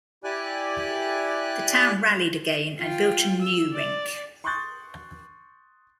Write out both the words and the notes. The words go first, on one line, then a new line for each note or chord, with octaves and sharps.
The town rallied again and built a new rink.
E4 G4 D5 G#5 F#6
F4 G5
E6
D5
C6 C#6 D#6 F#6 G6 A6